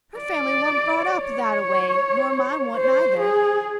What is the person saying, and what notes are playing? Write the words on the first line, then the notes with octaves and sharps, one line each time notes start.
Her family wa'n't brought up that-a-way, nor mine wa'n't neither.
D5
C#5
C5
G#4